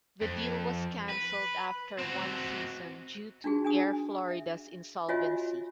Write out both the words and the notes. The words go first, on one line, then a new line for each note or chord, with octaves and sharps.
The deal was cancelled after one season due to Air Florida's insolvency.
F2
B4
C4 F#4
D4 D#4 F#4 G#4
D4 G#5 D#6
E5
F4 F#4 C#5 D#5 E5 G#5